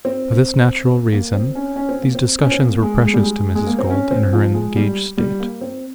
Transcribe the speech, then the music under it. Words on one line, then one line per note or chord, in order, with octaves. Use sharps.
For this natural reason these discussions were precious to Mrs. Gould in her engaged state.
C4
A#3
C4
C#4
C#4
C4
A#3
C4
C#4
C4
A#3
G#3
G#3
G3
G#3
G#3
A#3
C4
C#4
C4
F3
G#3
G3
G3
A#3
C4